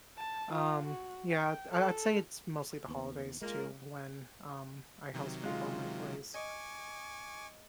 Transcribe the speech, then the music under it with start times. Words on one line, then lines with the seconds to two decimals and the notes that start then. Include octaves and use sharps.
Um, yeah, I'd I I'd say it's mostly the holidays too, when, um, I host people in my place,
0.17 A5
0.53 F4
0.86 F#4
1.31 G5
1.71 A4
2.88 D#2 B3
3.42 G#3 A#3 F4 A#4
5.14 C3 D#3 F#3
5.43 G#3 F4
6.34 D#5 G#5 C#6 D6